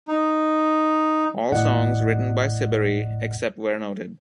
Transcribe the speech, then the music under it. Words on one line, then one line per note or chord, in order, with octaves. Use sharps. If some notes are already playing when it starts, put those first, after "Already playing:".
All songs written by Siberry, except where noted.
D#4
G#1 E2 A2 D5 D#5 F#5